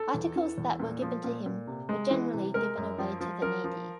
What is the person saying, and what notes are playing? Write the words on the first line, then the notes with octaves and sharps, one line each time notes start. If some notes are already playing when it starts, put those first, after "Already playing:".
Articles that were given to him were generally given away to the needy.
Already playing: A4
E2
E3
E2
A#2
F3
A#2
A#2
C3
G#3
E3
C3
G#3 A#4
F#2
F3
F3
F3 A#4
F3